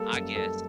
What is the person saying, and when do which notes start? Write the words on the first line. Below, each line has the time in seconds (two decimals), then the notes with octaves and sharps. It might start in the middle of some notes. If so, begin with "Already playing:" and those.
I guess.
Already playing: G3 A#3 A4
0.13 F#2
0.36 A#3 A4